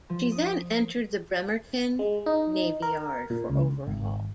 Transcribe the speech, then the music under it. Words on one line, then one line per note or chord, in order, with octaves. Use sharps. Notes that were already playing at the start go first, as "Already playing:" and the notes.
She then entered the Bremerton Navy Yard for overhaul.
F3
D#6
G#3
D#4
A#4
A#2
C#2
G#1